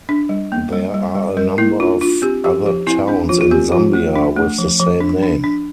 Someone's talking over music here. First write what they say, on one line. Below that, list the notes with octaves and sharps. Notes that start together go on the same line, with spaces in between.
There are a number of other towns in Zambia with the same name.
D4
G3
A#3
G3
G3
G3
G3 A#4
A#3 E4
D4 F4
D4 F4
C4 G4
F3 G4
F3 G4
C4 E4
C4 D4
F3 F4
F4
C4 G4
F3 F4
A3
D4
A3
F3
F3
D4
D4
D4